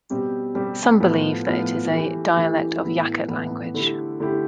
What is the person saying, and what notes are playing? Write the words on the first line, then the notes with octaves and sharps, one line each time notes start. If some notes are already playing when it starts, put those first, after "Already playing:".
Some believe that it is a dialect of Yakut language.
B2 G3 C4 G4
B2 G3 C4 G4
A2 F3 B3 F4
A2 F3 B3 F4
E3 A3 E4 G4
E3 A3 E4 G4
A2 E3 B3 E4
A2 E3 B3 E4
D3 A3 E4 G4
D3 A3 E4 G4